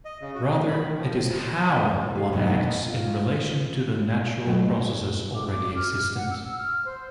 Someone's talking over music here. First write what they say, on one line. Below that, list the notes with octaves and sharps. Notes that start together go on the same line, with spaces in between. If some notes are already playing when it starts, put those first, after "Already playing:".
Rather, it is "how" one acts in relation to the natural processes already existent.
D#5
C#3
F#4
G#3
B5
D#3
F3
A2
G4 F5
F2 B2 D3 D#3 F#3 C4
F4
B2 F#3 A3 G5
D6
D6
F6
F#5
E6
F6
C5